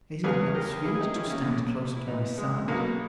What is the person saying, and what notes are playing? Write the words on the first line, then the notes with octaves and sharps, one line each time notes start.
Is it not sweet to stand close at my side?
E2 C#3 E3 G#4 B4
G4 A#4
E4 G#4
G#4
D#4 G4
C#4 E4
A#3 C#4
B1 A#2
E4
B3 D#4
G#3
B1 B2 A#3